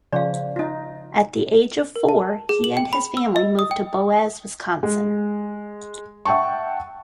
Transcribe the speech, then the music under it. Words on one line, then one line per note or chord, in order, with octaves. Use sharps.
At the age of four, he and his family moved to Boaz, Wisconsin.
C#3 F3 D5 F5
D#4 F4
A#4
A5
G#4
F#7
G5
B5
E6
D#5
D#6
G5
G#3
E5 F#5 G5 A5 C#6